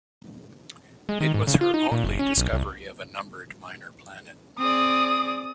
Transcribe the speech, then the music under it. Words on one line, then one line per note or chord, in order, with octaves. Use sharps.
It was her only discovery of a numbered minor planet.
G#3
D#3
G#2
C#3
F4
D#4
A#2
F#1
C#4
B1
C2
C4 G#4 D5 D#6